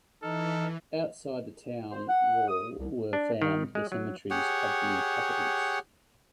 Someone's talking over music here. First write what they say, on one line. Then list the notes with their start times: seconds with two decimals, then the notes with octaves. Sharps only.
Outside the town wall were found the cemeteries of the inhabitants.
0.23 E3 D#4 A4 F6
1.92 C5
2.09 F#5
2.48 D#6
2.79 C2
3.13 D4
3.42 D#3
3.75 G#3
3.92 F#3
4.30 G4 G#4 C#5 F#5